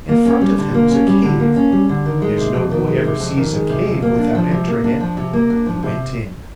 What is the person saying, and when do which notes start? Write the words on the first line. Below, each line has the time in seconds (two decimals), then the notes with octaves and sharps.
In front of him was a cave, and, as no boy ever sees a cave without entering it, he went in.
0.09 A#3
0.25 C#4
0.41 G3
0.58 D3
0.74 A#3
0.91 C#4
1.07 G3
1.23 D3
1.40 A#3
1.56 C#4
1.72 G3
1.89 D3
2.06 D#3
2.22 G#3
2.38 C3
2.54 F2
2.71 D#3
2.87 G#3
3.04 C3
3.20 F2
3.37 D#3
3.53 G#3
3.69 C3
3.86 F2
4.02 A#3
4.19 D4
4.35 F3
4.51 C3
4.68 A#3
4.84 D4
5.00 F3
5.17 C3
5.33 A#3
5.50 D4
5.66 F3
5.83 C3